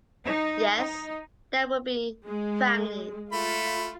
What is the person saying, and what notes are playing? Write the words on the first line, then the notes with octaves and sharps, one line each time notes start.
Yes... There will be family...
D#4
D#4
G#3
A3 F4 B5